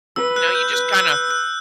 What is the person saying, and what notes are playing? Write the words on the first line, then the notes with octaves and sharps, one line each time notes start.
you know, you just kinda
B4 E6
F#6
G6
B4 F#6
E6
F#6
F#6